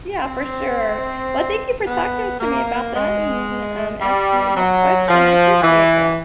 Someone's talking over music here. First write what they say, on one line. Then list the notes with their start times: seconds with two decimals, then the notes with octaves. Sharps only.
Yeah, for sure. Well, thank you for talking to me about that and, um, asking me this question. I appreciate that.
0.26 C4
1.87 B3
2.40 A#3
2.94 G#3
4.01 G3
4.55 F#3
5.09 F3
5.62 E3